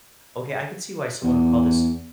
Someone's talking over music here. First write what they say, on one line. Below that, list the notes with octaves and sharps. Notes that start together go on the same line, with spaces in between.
"Okay, I could see why someone would call this
E2